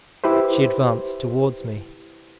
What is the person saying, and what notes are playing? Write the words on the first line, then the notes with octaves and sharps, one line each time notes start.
She advanced towards me.
E4 G4 B4 C5